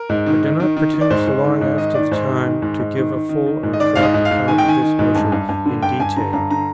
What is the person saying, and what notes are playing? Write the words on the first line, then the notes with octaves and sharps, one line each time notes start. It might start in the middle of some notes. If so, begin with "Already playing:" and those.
I do not pretend, so long after the time, to give a full or exact account of this measure in detail.
Already playing: A#4
G#2
D#3
D#3
D#3
D#3
D#3
D5
G#2 C5
G#2
D#3
G#2
D#3 D#5
D#3 D5
G#2 C5
D#3
D#3
G#2
G#2
D#3
D#3
D#3
D#3
G#2
D#5
D#3 D5
G#2 F5
D#5
G#2
F5
G#2
D#3 G#5
G5
D#3 G#5
D#3
G#2
G2
G2
G2
D3
G2 G5
G2 G#5
D3 A#5
G2 A#5
D3 A#5